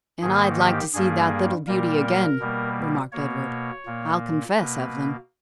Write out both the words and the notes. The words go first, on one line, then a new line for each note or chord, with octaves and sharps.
"And I'd like to see that little beauty again," remarked Edward, "I'll confess, Evelyn."
G#2 D#3 A#3 G#4
G4
G2 G3 A#3 G#4
A#2 G3 A#3 A#4
B2 G3 A#3
B2 A#3 C#5
A#2 A#3
B2 A#3 B4